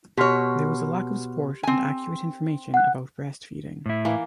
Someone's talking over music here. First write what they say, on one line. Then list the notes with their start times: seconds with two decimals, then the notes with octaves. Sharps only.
There was a lack of support and accurate information about breastfeeding.
0.17 B2 G4 C#5 C6 F6
1.63 C4 G#5
2.74 F#5 F#6
3.86 A2 E4
4.05 E3 A#3